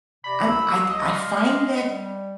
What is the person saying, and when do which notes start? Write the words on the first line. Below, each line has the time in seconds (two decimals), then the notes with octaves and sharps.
I'm I'd I find that,
0.24 C3 D5 A#5 B5
0.46 C2 E6
0.89 D#5
1.11 D5 F5 C6
1.85 G3